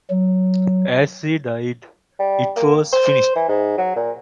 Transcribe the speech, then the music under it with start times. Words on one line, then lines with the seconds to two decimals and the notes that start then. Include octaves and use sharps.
As he died, it was finished.
0.10 F#3
2.19 G3
2.57 A#3
2.92 C5
3.36 E3
3.48 G#2
3.78 F#3
3.96 A#2